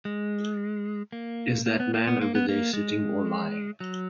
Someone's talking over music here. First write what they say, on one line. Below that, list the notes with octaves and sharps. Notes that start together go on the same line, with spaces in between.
Is that man over there sitting or lying?
G#3
A#3
A#3
B3
A#3
B3
A#3
B3
A#3
G#3
F#3